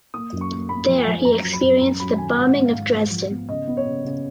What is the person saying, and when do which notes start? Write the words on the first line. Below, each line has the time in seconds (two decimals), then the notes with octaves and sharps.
There he experienced the Bombing of Dresden.
0.14 A#3 D#6
0.32 F#2
0.41 C#6
0.51 A#3
0.69 A#3 B5
0.88 F3
0.98 G#5
1.06 F3
1.25 F#2 A#5
1.43 F#3
1.53 B5
1.62 F#2
1.81 F#2 A#5
2.00 F#3 B5
2.18 D#3 G#5
2.37 G#2 F#5
2.56 G#2
2.66 F5
2.74 G#2
2.93 G#2
3.11 F3
3.31 B3
3.49 C#3 D#5
3.68 B3
3.77 C#5
3.86 C#3
4.05 C#3